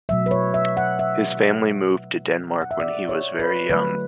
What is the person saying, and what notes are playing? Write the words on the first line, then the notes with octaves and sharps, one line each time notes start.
His family moved to Denmark when he was very young.
B2 F#3 A3 E5
B4
C#5
E5
F#5
E5
F#5
E5
D5
C#5
B4
D3 F#3 A3 B4